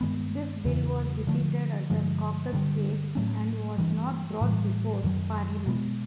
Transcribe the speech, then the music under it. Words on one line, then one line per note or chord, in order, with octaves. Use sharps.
This bill was defeated at the caucus stage and was not brought before Parliament.
G2 D#3 G#3 B3
E2 C#3 E3
D3 F3 A3
G2 D3 F3 G#3
G2 D3 G3
A2 F#3 A3 C#4
G2 E3 G3
A2 E3 G3
F#2 D#3 F#3
B2 G#3 B3